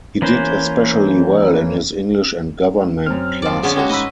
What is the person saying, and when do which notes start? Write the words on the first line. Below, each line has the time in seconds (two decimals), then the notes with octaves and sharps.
He did especially well in his English and government classes.
0.22 E3 A#3 C#4 B4 C5
3.06 F#2 C4 F6
3.42 F3 D5
3.63 D3 B3 C#4 G#4
3.76 G#3 A#3 C#4 F#4 G4
3.90 G#2 B4 D#5 B5 E6